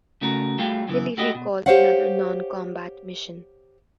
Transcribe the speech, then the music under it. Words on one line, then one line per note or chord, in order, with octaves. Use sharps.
Lilly recalled another non-combat mission.
C#3 A3 F#4 A#4
G3 A3 F#4 G#4 F5 G5
F#2 C#3 E3
A3 F#4 G4 D#5
B2
G4 G#4 C5 C#5 F5 F#5